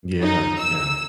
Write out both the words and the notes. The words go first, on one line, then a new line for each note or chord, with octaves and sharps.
Yeah. Yeah.
D#4
E6